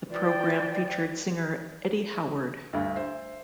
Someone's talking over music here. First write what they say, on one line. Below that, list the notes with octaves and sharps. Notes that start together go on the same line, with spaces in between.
The program featured singer Eddy Howard.
E3 F3 D5 G5
D2 G2
C5 E5